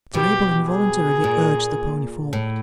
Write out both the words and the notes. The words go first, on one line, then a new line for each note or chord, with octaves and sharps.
Mr Abel involuntarily urged the pony forward.
B2 G4
G#4
A#2
A2